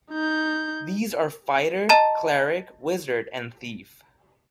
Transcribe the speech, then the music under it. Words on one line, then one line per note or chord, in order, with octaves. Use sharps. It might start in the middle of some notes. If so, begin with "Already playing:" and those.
These are Fighter, Cleric, Wizard, and Thief.
D#4 G6
D#5 A5 A#5